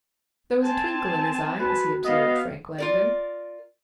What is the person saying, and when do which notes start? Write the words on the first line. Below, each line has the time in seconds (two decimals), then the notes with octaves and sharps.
There was a twinkle in his eye as he observed Frank Langdon.
0.62 C4 G#5 A5
1.60 F#4 B4
2.05 B3 D#5 F5
2.78 F4 A#4 D5